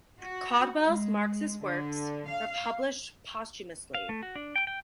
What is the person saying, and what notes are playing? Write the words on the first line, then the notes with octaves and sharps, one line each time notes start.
Caudwell's Marxist works were published posthumously.
F#4
G#3
D3
F5
F5
A3
F#4
D4
G5
G5